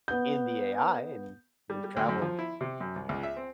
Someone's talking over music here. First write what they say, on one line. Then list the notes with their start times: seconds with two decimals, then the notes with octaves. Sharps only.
in the AI and we've traveled
0.08 B3 G6
1.70 G3
1.84 G3
1.97 D2
2.09 F#2
2.22 F3
2.39 E4
2.61 C3
2.81 F#2
2.96 C2
3.09 C#2
3.23 E5
3.37 C4